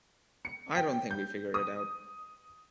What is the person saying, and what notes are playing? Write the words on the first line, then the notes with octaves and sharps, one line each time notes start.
I don't think we figured it out.
C#7
G5
G6
D#6